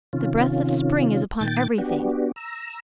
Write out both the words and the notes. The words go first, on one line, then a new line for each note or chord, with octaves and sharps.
The breath of spring is upon everything.
C3 D#3 C#4 F4
A#2 D#3 G5 A6
B3 D4 F#4 G4
A#5 E6